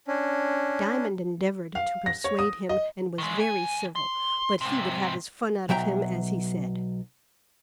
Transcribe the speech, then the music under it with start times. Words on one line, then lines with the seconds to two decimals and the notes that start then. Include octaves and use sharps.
Diamond endeavoured to persuade him, and was very civil, but he would have his fun out of him, as he said.
0.08 C#4 D4
1.75 F5
2.06 A#6
2.24 C#5
2.39 D#6
2.69 D#5
3.18 D#3 G#3
3.37 D#2 G#5
3.95 C6
4.61 G#2 C3
5.69 B1 F#3 E5 G5 A#5